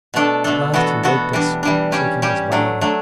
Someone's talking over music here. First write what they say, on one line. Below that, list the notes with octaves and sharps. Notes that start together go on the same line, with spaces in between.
At last he waked us, shaking us violently.
B2 A3 D4 A4
B2 A3 D4 A4
E3 B3 F#4 A4
E3 B3 F#4 A4
E3 G3 D4
E3 G3 D4
G3 C#4 G4
G3 C#4 G4
F#3 A3 D4
F#3 A3 D4